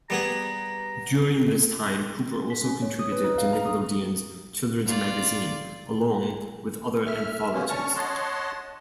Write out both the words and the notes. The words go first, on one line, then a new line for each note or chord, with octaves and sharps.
During this time, Cooper also contributed to Nickelodeon's children's magazine along with other anthologies.
G3 B3 G#4 A#5
B6
C#4
C#5
D#6
B4
D#4
F5
A#5
D#6
F4 D5
E5 F6
B2 G3 A#3 B3 C#4
D3 C#4 A5 C#6 F6
C#5 D#5 F#5 A5 C6